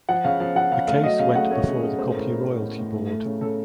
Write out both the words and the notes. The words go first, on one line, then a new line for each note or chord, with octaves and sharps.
The case went before the Copy Royalty Board.
F3 F#5
C#3 F5
F3 F5
F3 F#5
C#3 F5
A3 F5
F#3 D#5
C#3 F5
A3 F#5
A3 C#5
C#3
C#3
A3 C5
A2 A#4
A2 A#4
A3
A2
A2
A3
A3
C#3
C#3 A4